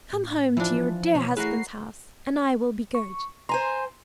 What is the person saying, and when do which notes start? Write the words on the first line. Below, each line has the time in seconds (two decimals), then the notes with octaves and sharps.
"Come home to your dear husband's house, and I will be good."
0.13 A2
0.57 E3 F3 D4
1.15 B2 C#5
1.37 A3 E4 F#4 G#4 A#4 B4 C7
2.95 C#6
3.49 C5 G#5 A#5 C6